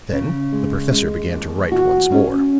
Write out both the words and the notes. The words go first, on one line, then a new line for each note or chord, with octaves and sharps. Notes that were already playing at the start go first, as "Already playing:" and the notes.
Then the professor began to write once more.
C#3
G#3
G#3
D#2
F#4
C#4